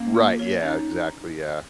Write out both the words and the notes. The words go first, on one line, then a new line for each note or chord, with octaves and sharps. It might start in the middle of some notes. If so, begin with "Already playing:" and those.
Right, yeah, exactly, yeah.
Already playing: A#3 C#4
F4
C#5
C#4 D#4